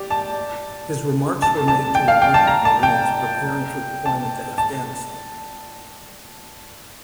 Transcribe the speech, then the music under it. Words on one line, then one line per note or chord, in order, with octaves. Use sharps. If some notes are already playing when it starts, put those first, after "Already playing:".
His remarks were made to a group of Marines preparing for deployment to Afghanistan.
Already playing: G4 D5
A5
A5
A5
G5
F5
G5
A5
A#5
A5
G5
A5
A5